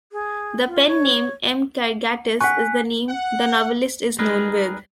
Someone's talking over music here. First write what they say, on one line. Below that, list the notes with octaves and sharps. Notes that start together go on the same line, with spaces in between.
The pen name M. Karagatsis is the name the novelist is known with.
G#4
F4
C#5
F#5 G#5 C#6 F#6 B6
F#5
G3 G#3 D#4 G#4 A#4 B4